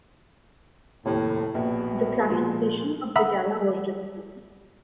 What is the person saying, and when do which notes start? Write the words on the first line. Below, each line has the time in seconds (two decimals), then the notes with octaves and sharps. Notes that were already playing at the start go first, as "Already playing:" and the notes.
The classification of the galah was difficult.
1.06 F1 D#2 A2
1.55 A#1 B2
2.30 A#2 F3 G#3
3.16 E5 F#5 A#5 B5 D#6 E6